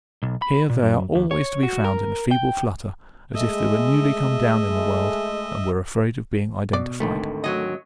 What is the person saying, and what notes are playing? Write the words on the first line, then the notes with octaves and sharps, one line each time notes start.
Here, they are always to be found in a feeble flutter, as if they were newly come down in the world, and were afraid of being identified.
B1
B5
A#2
F#2
D#2
C#5
F#4
A#4
G5
G#3 A3 D#5 E5
B2 D5
G#1 D2 D#3 A3
F#3 D#5